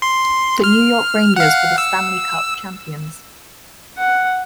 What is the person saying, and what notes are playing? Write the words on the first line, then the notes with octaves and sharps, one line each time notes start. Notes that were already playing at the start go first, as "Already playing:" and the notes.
The New York Rangers were the Stanley Cup champions.
C6
F6
F5 F#5
E6
F#5